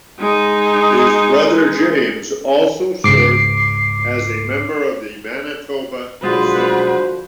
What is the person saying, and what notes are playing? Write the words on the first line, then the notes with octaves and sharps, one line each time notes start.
His brother James also served as a member of the Manitoba assembly.
G#3 D#4
C#2 G#2 D6 C7
B1 D3 F3 G#3 F4 F#4 B4 C5